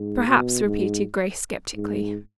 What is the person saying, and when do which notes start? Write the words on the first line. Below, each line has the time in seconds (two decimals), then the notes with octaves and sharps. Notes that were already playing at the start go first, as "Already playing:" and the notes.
"Perhaps," repeated Grace sceptically.
Already playing: G#2
0.27 B2
0.65 G#2
1.76 G#2